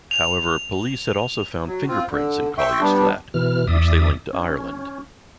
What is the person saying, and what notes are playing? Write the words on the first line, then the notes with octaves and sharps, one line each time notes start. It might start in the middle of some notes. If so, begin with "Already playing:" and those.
However, police had also found fingerprints in Collier's flat, which they linked to Ireland.
F7
F#3
C4 F4
D3
E5 G5 C6 C#6
G3 B3 D4
B2 E3 F6
E2 D5 E5 D#6
C#4